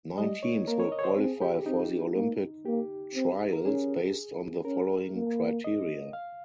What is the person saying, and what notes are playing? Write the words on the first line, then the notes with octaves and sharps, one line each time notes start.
Nine teams will qualify for the Olympic Trials based on the following criteria.
G3 D#5
C#5
A#3 A#4
C#5
D#5
C#5
C5
C4 G#4
G4
C4 D#4
A#3
A#3 G4
C4
A#4
C#4 G#4
C#4 A#4
A#3
D#5
F5